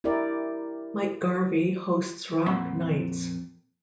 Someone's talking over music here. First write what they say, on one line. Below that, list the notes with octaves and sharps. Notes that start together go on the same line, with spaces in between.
Mike Garvey hosts Rock Nights.
E4 G4 A#4 D5
F2 A#2 A#3 E5 F#5 B5